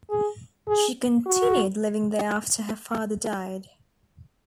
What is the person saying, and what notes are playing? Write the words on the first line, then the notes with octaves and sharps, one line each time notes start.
She continued living there after her father died.
G#4
G#4
F#4